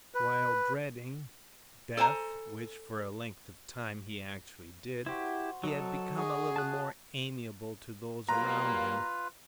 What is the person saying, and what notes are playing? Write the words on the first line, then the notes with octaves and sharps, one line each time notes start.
While dreading, death--which for a length of time he actually did--he had become a little more amiable to those around him.
B4
A4 C5 G#5 A#5
E4 F#4 G4 C5
F#3 A4 D#5 A#5
F#4 G#4 D#5
A5 F#6
F#3 G3 A#3 F4 B4 A#5